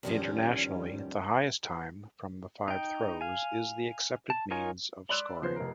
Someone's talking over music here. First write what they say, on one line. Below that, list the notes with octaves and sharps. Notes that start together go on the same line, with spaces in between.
Internationally, the highest time from the five throws is the accepted means of scoring.
E2 G#2 D#3 F3 G3 C#4
D#4 G5
F5 G#5
A5
D#4 F4 A#4 C#5 G#5
D5 B5 C6 E6 F#6
C#3 F3 B3 C5 C7
F1 A#4